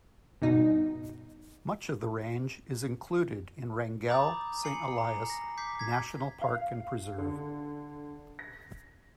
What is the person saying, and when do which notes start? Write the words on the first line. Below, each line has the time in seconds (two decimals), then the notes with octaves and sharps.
Much of the range is included in Wrangell-Saint Elias National Park and Preserve.
0.42 G2 B2 D#4
4.09 A#5 B5 D6 D#6 G6 A6
4.64 G#5 B5 C7 C#7 F#7
4.98 A#5
5.30 A#6
5.58 D6 G6 B6 C7
5.79 G#6 B6
6.41 F5
7.18 D3
8.39 A#6